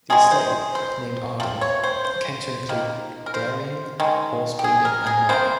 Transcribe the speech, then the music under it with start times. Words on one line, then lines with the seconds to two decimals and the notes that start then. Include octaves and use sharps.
The estate, named Arden, came to include dairying, horse breeding and mining.
0.10 C3 D#3 G#3 G#4
0.31 C5
0.75 C5
1.40 C3 F3
1.61 C#5
1.84 C5
2.05 C5
2.69 D#3 A#3
3.26 A#4
3.34 C5
4.00 D#3 G#3
4.59 G4
4.64 G#4
4.85 A#4
5.06 G#4
5.29 G3 A#3 C5
5.33 C3